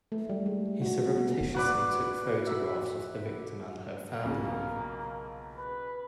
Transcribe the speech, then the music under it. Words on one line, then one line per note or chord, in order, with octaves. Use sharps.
He surreptitiously took photographs of the victim and her family.
A3
G3
G#3
F#4
B3
F#4 B4 D5
E5 B5
B1 A#2 C#3 A#3
B4